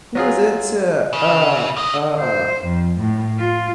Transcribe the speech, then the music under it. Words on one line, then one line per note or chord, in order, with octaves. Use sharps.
she was into, uh uh
F#3 F4 G#4
C#3
A2 D#5
C5
F2
A2
F4